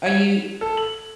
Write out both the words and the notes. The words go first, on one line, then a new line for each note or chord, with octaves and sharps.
Are you
G#6
A4
F#7